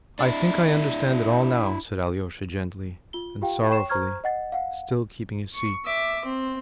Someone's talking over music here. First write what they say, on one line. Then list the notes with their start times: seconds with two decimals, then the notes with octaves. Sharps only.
"I think I understand it all now," said Alyosha gently and sorrowfully, still keeping his seat.
0.19 D4 E4
3.13 F4 G7
3.41 F4 G4 F5 G5
3.70 C#5 G5 C#6 C7 E7
3.90 C5 A#5 C#6 F6 G#6
4.24 D#5 F#5 A6
4.52 F5 F#5
5.54 C#6
5.85 E5 D6
6.24 C4